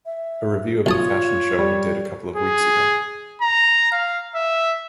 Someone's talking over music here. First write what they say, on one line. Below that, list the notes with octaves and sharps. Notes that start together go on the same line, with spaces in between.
A review of the fashion show he did a couple of weeks ago.
E5
B1 F4 C#5 A5 D#6
G3
G#4
A#5
F5
E5